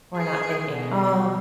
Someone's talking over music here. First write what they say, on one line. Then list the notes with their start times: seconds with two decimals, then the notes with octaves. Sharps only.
we're not thinking, "Oh,
0.16 G#4
0.68 B2